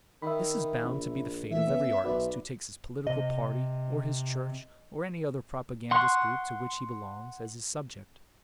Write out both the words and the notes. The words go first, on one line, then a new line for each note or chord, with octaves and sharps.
This is bound to be the fate of every artist who takes his political party or his church, or any other propagandist group to which he belongs, as his subject.
D#3 E5 B5
A#1
E3 A3 E5
B3 C#4
B1 F#4 B4 D5 E5
C3 D#5
F#5 C6 C#6 F#6